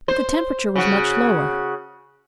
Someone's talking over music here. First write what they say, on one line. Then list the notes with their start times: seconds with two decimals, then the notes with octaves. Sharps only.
But the temperature was much lower.
0.08 C5
0.76 C#3 F#4